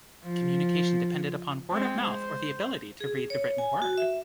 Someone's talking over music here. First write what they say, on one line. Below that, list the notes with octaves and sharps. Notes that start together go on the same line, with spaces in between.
Communication depended upon word-of-mouth or the ability to read the written word.
F3
G#3 C4
C5
G#4
C#5
G#5
F#4
E5